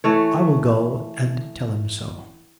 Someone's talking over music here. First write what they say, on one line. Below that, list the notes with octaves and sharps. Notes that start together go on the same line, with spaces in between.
I will go and tell him so.'
E3 A3 C#5